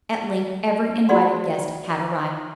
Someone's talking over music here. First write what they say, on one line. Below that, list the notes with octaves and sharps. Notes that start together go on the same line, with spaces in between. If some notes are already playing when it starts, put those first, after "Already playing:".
At length every invited guest had arrived.
F4 F#4 G#4 D5 F#5 C6